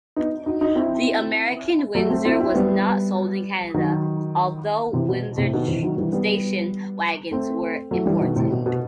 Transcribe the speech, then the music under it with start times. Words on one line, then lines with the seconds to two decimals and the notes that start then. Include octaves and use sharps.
The American Windsor was not sold in Canada although Windsor station wagons were imported.
0.16 B3 D#4
0.46 D#4 F#4
0.61 D#4 F#4
0.75 C4 E4
1.95 F#3 A3
2.10 A3 C4
2.25 C4 E4
2.40 C4 E4
2.54 G3 B3
3.74 D#3 F#3
4.93 C3 E3
5.09 B2
5.38 A2 C3
5.53 B2 D#3
5.68 C3 E3
5.83 D#3 F#3
5.97 E3 G3
6.12 G3 B3
7.31 A3 C4
7.91 F#3 A3
8.06 E3 G3
8.21 B2 D#3
8.36 A2 C3
8.51 B2
8.66 B2